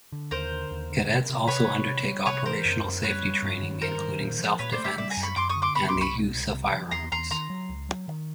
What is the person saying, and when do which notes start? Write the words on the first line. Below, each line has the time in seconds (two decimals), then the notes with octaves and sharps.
Cadets also undertake operational safety training, including self-defence and the use of firearms.
0.12 D3
0.31 D#2 A#4 C5
0.51 D3
0.71 D#2
0.90 D3
1.10 C3
1.29 C3
1.48 C3 B4 C#5
1.68 C3
1.87 C3
2.07 G3
2.26 C3 B4 C#5
2.45 E3 A#4 C5
2.65 F#2
2.84 F#2
3.03 G3 B4 C#5
3.23 G3
3.43 G2
3.62 D#3
3.81 G2 A#4 C5
4.01 D#3
4.21 A#2
4.39 F3
4.59 A#2 B4 C#5
4.72 C5 D5
4.78 A3
4.84 D5 E5
4.98 G3 D5 E5
5.10 G#5 A#5
5.17 F#2
5.23 B5 C#6
5.36 F#2 C6 D6
5.49 C#6 D#6
5.56 D3
5.62 C6 D6
5.75 B3 B5 C#6
5.88 C6 D6
5.95 C2
6.01 B5 C#6
6.14 B2
6.33 C2
6.53 C3
6.72 F3
6.91 E2 A#5 C6
7.12 E2 A#5 C6
7.31 D#3 A#5 C6
7.50 F#3
7.69 C#2
7.89 F#3
8.08 D#3